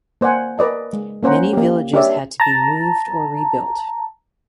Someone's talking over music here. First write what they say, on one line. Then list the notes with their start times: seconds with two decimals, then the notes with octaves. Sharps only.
Many villages had to be moved or rebuilt.
0.21 A#3 C5 D5 F#5 G#5
0.58 A#4 B4 D5 D#5 A5
0.93 G#3
1.23 A#3 C#4 C5 F#5 A#5
1.53 A#3 G4
1.93 D4 G4 A#4 C#5 D5 E5
2.40 A5 A#5